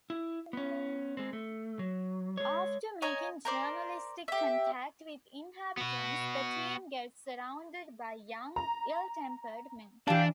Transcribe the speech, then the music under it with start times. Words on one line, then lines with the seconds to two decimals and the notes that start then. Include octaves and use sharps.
After making journalistic contact with inhabitants, the team gets surrounded by young, ill-tempered men.
0.10 E4
0.53 B3 C#4
1.17 G#3 C4
1.33 A3
1.79 F#3
2.37 G#3 C#5
3.02 C#5 D#5 G#5 A#5
3.45 A#4 C5 D5
4.28 G4 E5
5.78 B3 F#4
8.56 A#5
10.08 E3 D4 G4 F5 A5